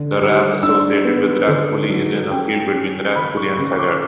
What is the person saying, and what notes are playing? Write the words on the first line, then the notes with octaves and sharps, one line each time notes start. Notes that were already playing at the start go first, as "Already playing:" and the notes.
The rath associated with Rathcoole is in a field between Rathcoole and Saggart.
Already playing: D3
G3
D4 E6
B3
D3
F#3
C#4 G5
C#4
C#3 B5
C#6
C#3 C#6
C#6
D6